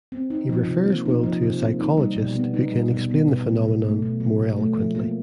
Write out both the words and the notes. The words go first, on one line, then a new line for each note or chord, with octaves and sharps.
He refers Will to a psychologist who can explain the phenomenon more eloquently.
C4
D#4
F3
C3
A#3
D#4
F3
C3
A#3
D#4
G3
B2
B3
D#4
G3
B2
B3
B2
F#3
B2
A3
B2
F#3
B2
A3
F3
A#3